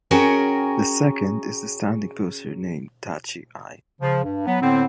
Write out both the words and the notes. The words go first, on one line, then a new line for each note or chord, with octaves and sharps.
The second is the standing posture named "tachi-ai".
C#4 F#4 G#4 A#4 C#5 G5
C#3 F3
G2
F#3 B3
A2 D3 B3 C4